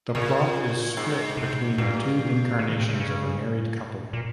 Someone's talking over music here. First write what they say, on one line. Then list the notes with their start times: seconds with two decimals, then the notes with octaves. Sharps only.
The plot is split between the two incarnations of a married couple.
0.15 A#2 C#3
0.97 G#2
1.37 C3
1.78 G2 A#2
2.59 C#3
2.69 D#3
2.79 C3
2.89 C#3
2.94 C3
3.00 C#3
4.13 A#2